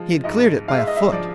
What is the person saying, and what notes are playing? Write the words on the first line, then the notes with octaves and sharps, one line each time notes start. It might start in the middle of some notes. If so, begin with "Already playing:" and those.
He had cleared it by a foot.
Already playing: F3 G#3
G#2 D#5
G#3 F5
E5
D#5
E5
F3 D5